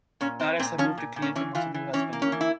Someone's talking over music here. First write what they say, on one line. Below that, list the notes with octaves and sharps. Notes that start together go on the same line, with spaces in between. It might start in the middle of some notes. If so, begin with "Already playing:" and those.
Alice had moved to Cleveland with her new husband.
A#2 C#4
C4
A#2 C4
F3 C#4
A#2
A#2
C#4
E3 C#4
E3 F4
E3
E3 C#4
A#3
C#4
E3
E4